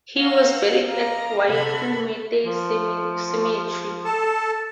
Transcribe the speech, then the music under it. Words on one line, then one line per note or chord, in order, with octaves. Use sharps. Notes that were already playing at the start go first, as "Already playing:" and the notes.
He was buried at Waikumete Cemetery.
F5 F#5 A#5 E6
D#5 F5 A#5 D6
C3 A4 F#5 B5 F6 G#6
F3
A4 A5